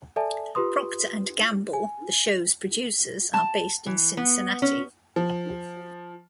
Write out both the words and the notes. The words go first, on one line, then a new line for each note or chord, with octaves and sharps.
Procter and Gamble, the show's producers, are based in Cincinnati.
A4 D5 E5 G#5 A5
F4 G4 B4 C6 D#6
G#5
A5
E3
B3
C#4
F3